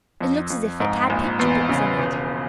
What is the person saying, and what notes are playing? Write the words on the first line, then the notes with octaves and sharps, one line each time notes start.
"It looks as if it had picture-books in it."
F2
F2
G#2
A#1
E2
C#3
E1